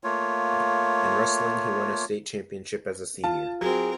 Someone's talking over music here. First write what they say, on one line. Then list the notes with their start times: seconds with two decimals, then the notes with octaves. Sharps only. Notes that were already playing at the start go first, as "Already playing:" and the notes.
In wrestling, he won a state championship as a senior.
0.04 A3 A#3 F4 C#5
3.24 F4 A5
3.61 F#3 C4 G#4 A#4 G#6